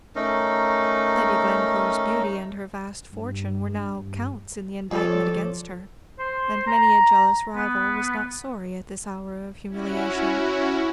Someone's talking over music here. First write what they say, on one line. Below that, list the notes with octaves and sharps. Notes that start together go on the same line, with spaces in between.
Lady Glencore's beauty and her vast fortune were now counts in the indictment against her, and many a jealous rival was not sorry at this hour of humiliation.
A3 C#4 D#4 A#4
G2
F2 F3 A4 C#5 D5
C5
A#5
B3
C#4 E4 F#4